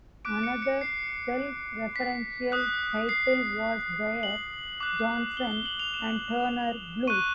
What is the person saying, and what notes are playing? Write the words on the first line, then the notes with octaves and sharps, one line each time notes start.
Another self-referential title was their Johnson and Turner Blues.
D6 F#6 D7
C#7
C#7
C7
B6
D#6 F#6
C7
F#7
D6 F#6
G7
G7
F#7
F7
E7
C#6 F#6 D#7